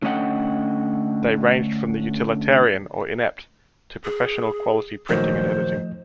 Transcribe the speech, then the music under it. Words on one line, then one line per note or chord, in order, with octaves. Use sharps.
They ranged from the utilitarian or inept to professional-quality printing and editing.
D3 A3 C#4 D#5 F#5 G5
G#4
A#2 D#3 F3 F#3 A3 C5 D#5